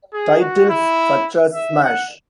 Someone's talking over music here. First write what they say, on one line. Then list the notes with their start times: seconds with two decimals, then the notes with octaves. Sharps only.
Titles such as Smash!
0.13 G#4
0.41 F#4
0.69 E4
1.54 E5
1.83 F#5